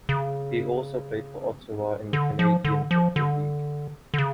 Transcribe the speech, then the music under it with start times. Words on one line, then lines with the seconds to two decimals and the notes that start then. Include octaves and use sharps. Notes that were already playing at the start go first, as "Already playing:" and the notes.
He also played for Ottawa in the Canadian Football League.
0.09 C#3
2.13 D3
2.39 F3
2.65 D3
2.91 F3
3.16 D3
4.14 D3
4.18 C#3